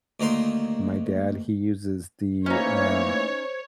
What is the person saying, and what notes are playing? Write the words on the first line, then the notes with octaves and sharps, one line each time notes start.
my dad, he uses the, um,
D2 D#3 A#3 C6
E3 A3 A#3 C#4 D#4 C5 C#5